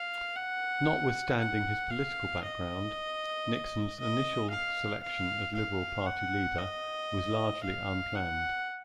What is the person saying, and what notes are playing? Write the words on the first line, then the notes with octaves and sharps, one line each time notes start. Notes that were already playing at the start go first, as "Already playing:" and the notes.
Notwithstanding his political background, Nixon's initial selection as Liberal Party leader was largely unplanned.
Already playing: F5
F#5
F#5
F5
D#5
D#5
F5
F5
F5
F#5
D#5
F5
F#5